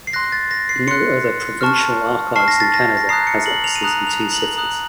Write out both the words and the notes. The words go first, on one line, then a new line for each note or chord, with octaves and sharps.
No other provincial archives in Canada has offices in two cities.
C7
C6 F#6 A#6
A6
A#6
C7
C6 F#6 C#7
A5 C#6 F6
A5 C#6 F6 C7
A#6
A6
A#6
A#6
A#5 D#6 F#6 C7
C#7
F#7
F7
D#7
A#5 D#6 F#6 F7
F7
F#7
A#5 D#6 F#6 F#7